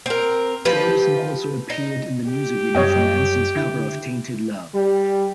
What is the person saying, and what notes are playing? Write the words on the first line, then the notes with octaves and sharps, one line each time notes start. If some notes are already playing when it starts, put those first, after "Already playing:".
Jordison also appeared in the music video for Manson's cover of Tainted Love.
C4 A#4
F3 G4 B4
D#4
G4
F#2 G3 C#5 D#5 G5
D3 E4
G3